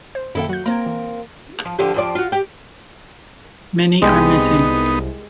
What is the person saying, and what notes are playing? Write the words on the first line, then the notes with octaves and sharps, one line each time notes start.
Many are missing.
C5
F#2 D#3 A#3 E4 A4 G5
F#3 F#4 G6
A#3 C4 A#4 A#5 G#6
E3
F3
D3 F3 G4
F2 F3 D5
F4 F#4
G4
C2 G#3 B3 D#4 G4